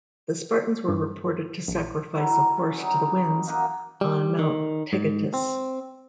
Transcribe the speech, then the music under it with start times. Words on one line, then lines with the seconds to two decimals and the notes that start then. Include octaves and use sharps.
The Spartans were reported to sacrifice a horse to the winds on Mount Taygetus.
0.88 G2
1.68 A#1
2.15 F#3 G3 E4 A4
2.57 C#4
2.78 F#3 G3 D#4
3.47 A#3 D#4 F#4 D#5
4.01 G3
4.39 D#3
4.93 G#2
5.34 C4